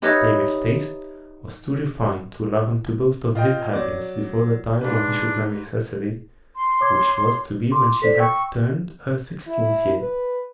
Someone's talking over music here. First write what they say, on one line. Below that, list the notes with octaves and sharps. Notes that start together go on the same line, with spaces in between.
David's taste was too refined to allow him to boast of his happiness before the time when he should marry Cecily, which was to be when she had turned her sixteenth year.
D#4 G4 B4 C#5 D#5 E5
F4 D#5 G5
F#3 D5 D6
G#2 D4 B4
C6
C#5 D6 G#6
C6 D6
A4 C5 D5 B6
G5 C#6 E6
E4
B4